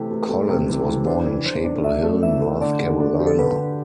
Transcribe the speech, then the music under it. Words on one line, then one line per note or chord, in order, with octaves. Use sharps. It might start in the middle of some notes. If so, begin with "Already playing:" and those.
Collins was born in Chapel Hill, North Carolina.
Already playing: C3 E3 A3 B4
A3
A3
C3
E3
E3
D4 C5
E3
E3 C5
D4
D4 E5
A3
E3 E5
A3
D3 D5
D3
D4
G4
A4
D3 B4
D3